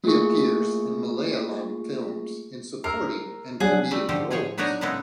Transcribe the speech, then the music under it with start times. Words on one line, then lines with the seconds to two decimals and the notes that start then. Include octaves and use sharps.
He appears in Malayalam films in supporting and comedic roles.
0.04 A3 A#3 F4 G#4 C#6
2.84 A#4 E6 F6 C7
3.60 F#3 D4 G#4 F#5
3.91 G3 A3
4.09 D3 F3 G4 A4 C5
4.31 A2 F3 G#4 C5 C#5
4.58 F#3 B3 D4 D#4 C#5 D#5
4.81 A2 C#3 G#3 B3 D#4 A4